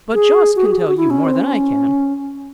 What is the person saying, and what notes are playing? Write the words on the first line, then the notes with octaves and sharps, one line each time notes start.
But Jost can tell you more than I can.
G#4
F#4
G#4
F#4
G#4
F#4
E4
C#4
C4
C#4